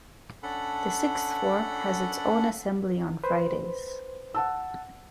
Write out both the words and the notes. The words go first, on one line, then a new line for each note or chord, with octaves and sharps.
The Sixth Form has its own assembly on Fridays.
C#4 D4 A4 F#5 B5
B4 C5
F#5 A5 E6